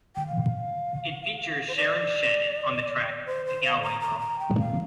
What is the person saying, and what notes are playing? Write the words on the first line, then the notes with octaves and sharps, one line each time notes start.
It features Sharon Shannon on the track "The Galway Girl".
G5
F5
C5
D5
C5
C5
F5
A#5
A#5
A#5
G5
F5